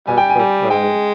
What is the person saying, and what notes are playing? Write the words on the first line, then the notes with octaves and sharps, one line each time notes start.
Alfred Earle.
G3 G#5
G5
G#5
G3
G#3 G5